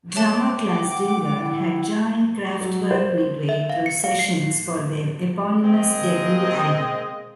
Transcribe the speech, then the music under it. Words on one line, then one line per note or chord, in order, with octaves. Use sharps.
Drummer Klaus Dinger had joined Kraftwerk midway through sessions for their eponymous debut album.
C#5 E5 A5 D6 F#6
F#5 G5
E4
F#3
C5
E5
F5
C#7
F5
C7
G#3 A#3 C4 D#5